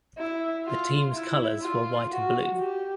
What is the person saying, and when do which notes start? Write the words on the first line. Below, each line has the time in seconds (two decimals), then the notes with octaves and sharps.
The team's colors were white and blue.
0.18 E4
0.65 F4
1.14 E4
1.62 F4
2.11 F#4
2.59 G4